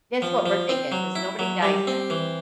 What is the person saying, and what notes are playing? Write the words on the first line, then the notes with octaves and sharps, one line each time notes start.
That's what we're thinking 'cause nobody died yet.
F3
F3
C4
F#3
E4
F#3
G3
C4
E3